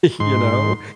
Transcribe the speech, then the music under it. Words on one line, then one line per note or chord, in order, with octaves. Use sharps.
you know?
G#2 C6